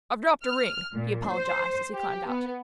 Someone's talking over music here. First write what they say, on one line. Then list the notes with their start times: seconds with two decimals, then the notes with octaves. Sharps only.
"I've dropped a ring," he apologised, as he climbed out.
0.45 F6
0.94 A#2
1.28 C5
1.95 G4
2.27 B3